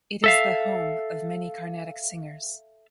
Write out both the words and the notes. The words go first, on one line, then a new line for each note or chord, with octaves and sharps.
It is the home of many carnatic singers.
A4 E5 F5